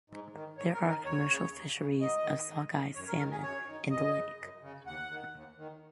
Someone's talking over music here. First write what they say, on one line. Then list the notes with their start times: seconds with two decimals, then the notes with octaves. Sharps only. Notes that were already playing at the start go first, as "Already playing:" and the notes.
There are commercial fisheries of sockeye salmon in the lake.
0.10 G#2
0.34 D#3
0.58 G#2 C#5
0.74 A#4
0.81 D#3
0.89 A#4
1.05 D#2 C#5
1.29 C#3
1.52 D#2
1.77 C#3
2.00 G#2 D#5
2.24 D#3
2.48 G#2
2.71 D#3
2.95 F#2 C#5
3.08 A#4
3.19 D#3 A#4
3.31 G#4
3.43 F#2 C#5
3.67 D#3
3.90 F#2 D#5
4.15 C#3
4.39 F#2
4.62 C#3
4.85 D#2 F#5
5.10 D#3
5.34 D#2
5.57 D#3